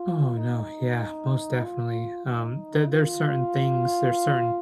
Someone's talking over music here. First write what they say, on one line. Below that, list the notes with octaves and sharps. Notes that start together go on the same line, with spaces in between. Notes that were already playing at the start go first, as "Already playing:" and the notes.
Oh, no. Yeah, most definitely. Um, there there's certain things there's certain
Already playing: F4
D#4
F4
D#4
F4